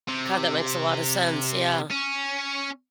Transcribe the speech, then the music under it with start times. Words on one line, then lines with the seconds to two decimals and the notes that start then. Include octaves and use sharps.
God, that makes a lottta sense, yeah.
0.09 C3
1.91 C#4